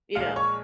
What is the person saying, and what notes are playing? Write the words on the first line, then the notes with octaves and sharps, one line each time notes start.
You know?
A#1 A#2 G#3 F5 F6
C#5 C#6